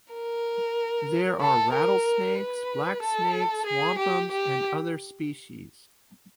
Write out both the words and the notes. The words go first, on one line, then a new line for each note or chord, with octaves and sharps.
There are rattle-snakes, black snakes, wampums, and other species.
A#4
A4
A#4
B4
A4
G#4
G4
G4